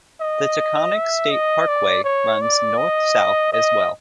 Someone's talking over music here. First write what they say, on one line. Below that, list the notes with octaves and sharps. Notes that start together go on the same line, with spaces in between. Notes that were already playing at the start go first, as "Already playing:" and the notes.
The Taconic State Parkway runs north-south as well.
D#5
E5
D#5
D5
C#5
D5
D#5
D#5